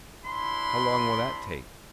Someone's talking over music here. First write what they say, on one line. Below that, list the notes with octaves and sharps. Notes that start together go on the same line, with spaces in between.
"How long will that take?"
C4 D4 E4 B5 C6